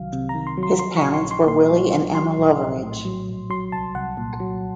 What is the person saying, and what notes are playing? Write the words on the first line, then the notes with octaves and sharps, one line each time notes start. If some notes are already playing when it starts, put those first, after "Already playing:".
His parents were Willie and Emma Loveridge.
Already playing: C2 D#3 F#3 F5
C3
A#5
D#3
C6
F#3
C6
F#3 C6
C#6
A#1
C6
A#1
C6
A#2 C6
F#3
A#1
F#3 C6
A#1
A#1
A2
F#3
A#1
F#3 C6
C2 A5
C2 F#5
A#2
F#3